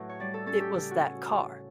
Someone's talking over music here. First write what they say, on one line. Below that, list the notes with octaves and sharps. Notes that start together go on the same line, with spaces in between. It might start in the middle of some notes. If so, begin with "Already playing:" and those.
It was that car.
Already playing: A2 F#3 B4
C#5
G3 D5
A4
C#4 A4
G4
C#3 G4
F#4
C#4